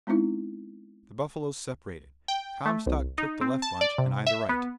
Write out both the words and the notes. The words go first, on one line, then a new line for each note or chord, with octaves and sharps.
The buffaloes separated; Comstock took the left bunch and I the right.
G#3 B3 C4 D#4 E4
G5
A3
C2
D#4
C4
A5
D5
C3
E5
B3